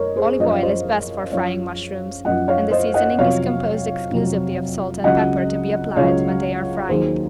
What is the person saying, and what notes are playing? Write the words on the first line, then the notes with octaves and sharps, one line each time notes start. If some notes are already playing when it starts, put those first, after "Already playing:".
Olive oil is best for frying mushrooms and the seasoning is composed exclusively of salt and pepper to be applied when they are frying.
Already playing: F#2 A#4 C#5 D#5
G#4 C5
F#2 F3 D#5
F5
C5 D#5
F#2 F3 C#5 F5
F#2 F3 D#5 F#5
C#5 F5
C5 D#5
D#5 F#5
F2 C3 F#3 C#5 F5
F2 C3 F#3
C#2 C#3 F#3 D#5 F#5
C#2 C#3 F#3 C#5 F5
D#2 D#3 F#3 G#4 C5